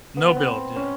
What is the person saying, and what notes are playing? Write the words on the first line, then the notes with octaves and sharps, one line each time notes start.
No build, yeah.
B3
B3
C4
C#4